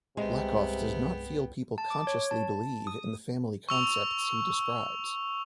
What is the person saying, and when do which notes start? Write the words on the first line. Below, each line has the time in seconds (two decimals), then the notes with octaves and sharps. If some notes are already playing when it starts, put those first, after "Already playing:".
Lakoff does not feel people consciously believe in the family concepts he describes.
0.17 G1 C2 C3 G#3 B3 G5
1.78 A5
1.90 D6
2.07 C#5
2.31 A5
2.87 D#6
3.69 C#6 E6 F7